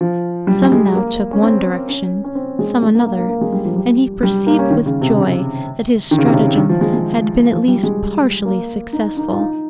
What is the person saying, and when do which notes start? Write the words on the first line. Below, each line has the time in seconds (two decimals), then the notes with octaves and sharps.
Some now took one direction, some another, and he perceived with joy that his stratagem had been at least partially successful.
0.01 F3
0.47 G3
0.62 G3
0.72 G#3
0.95 A#3
1.33 C#4
1.42 C4
1.89 C#4
2.24 C#4
2.35 C4
2.59 G#3
2.83 G#3
2.95 A#3
3.06 A#3
3.18 A#3
3.29 A#3
3.41 G#3
3.52 G3
3.65 F3
3.76 G3
4.23 G3
4.46 A#3
4.59 C#4
4.70 D#3
4.86 C#3
5.01 C3
5.18 C#3
6.11 D#3
6.18 C#3
6.25 C3
6.33 C#3
6.58 D#3
6.69 F3
6.81 G#3
6.94 G#3
7.52 F3
7.68 G3
7.83 G#3
8.45 A#3
8.93 D#4
9.17 D#4
9.31 F4
9.39 D#4